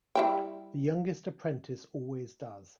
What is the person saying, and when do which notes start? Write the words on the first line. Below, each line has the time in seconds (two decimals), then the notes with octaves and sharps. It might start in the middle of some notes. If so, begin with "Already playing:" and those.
The youngest apprentice always does.
0.15 G3 E4 G5